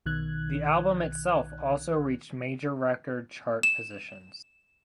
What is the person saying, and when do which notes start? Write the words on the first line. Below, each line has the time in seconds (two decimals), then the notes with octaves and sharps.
The album itself also reached major record chart positions.
0.06 B1 B2 D#3 F#6 G#6
3.63 E7